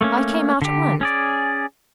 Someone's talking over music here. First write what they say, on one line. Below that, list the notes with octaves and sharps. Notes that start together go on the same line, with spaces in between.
I came out at once.
A3 A#3 C#4
D3 G4
C#4 G#4 D5